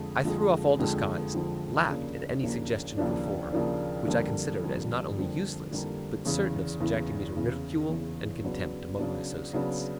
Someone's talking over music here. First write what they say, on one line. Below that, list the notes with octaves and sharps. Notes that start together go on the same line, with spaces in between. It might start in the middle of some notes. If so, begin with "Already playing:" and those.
I threw off all disguise, laughed at any suggestion of reform, which I considered as not only useless, but certain of subjecting me to ridicule and contempt among my associates.
Already playing: F2 D3 F3 G#3
F2 D3 F3 G#3
F2 D3 F3 G#3
F2 D3 F3 G#3
D#2 C#3 F3 A#3 D4
D#2 C#3 F3 A#3 D4
D#2 C#3 F3 A#3 D4
D#2 C#3 F3 A#3 D4
F2 D3 G3 A#3
F2 D3 G3 A#3
F2 D3 G3 A#3
F2 D3 G3 A#3
E2 C#3 E3
E2 C#3 E3
E2 C#3 E3
E2 C#3 E3
C#3 F#3 B3 D4
C#3 F#3 B3 D4
C#3 F#3 B3 D4